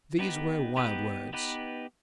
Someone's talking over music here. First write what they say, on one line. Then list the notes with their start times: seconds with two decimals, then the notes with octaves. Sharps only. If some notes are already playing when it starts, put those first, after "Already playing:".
These were wild words.
0.19 B3 D#4 G4 B4
0.77 B3 D#4 G4 B4
1.33 B3 D#4 G4 B4